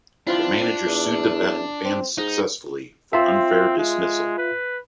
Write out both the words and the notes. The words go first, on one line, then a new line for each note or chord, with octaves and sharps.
The manager sued the band successfully, for unfair dismissal.
C4 D4 E4 F4 C5
E2
C4
G#2 D#4
C4 F4 E5
G#3
B4